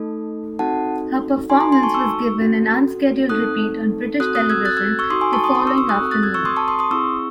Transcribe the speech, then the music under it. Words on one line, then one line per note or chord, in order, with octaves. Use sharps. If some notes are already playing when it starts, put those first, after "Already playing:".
Her performance was given an unscheduled repeat on British television the following afternoon.
Already playing: A3 D#4 A4
C4 D#4 F#4 A4 F#5 A5
D#4 F#4 A4 G#5 C6
G#5 C6
G#5 C6
A5 C#6
C#6 E6
C#4 F#4 A4
C4 D#4 A4 D#6 F#6
C4 F#4 A4 D#6 F#6
D#6 F#6
E6 G#6
F#6 A6
E6 G#6
C#6 E6
D#4 F#4 A4 C6 D#6
G#5 C6
A5 C#6
C6 D#6
C6 D#6
C#6 E6
C#6 E6
D#6 F#6
C4 F#4 A4
F#6 A6
E6 G#6
C#6 E6
C6 D#6
A5 C#6
C6 D#6
C6 D#6
C4 E4 G#4 C#6 E6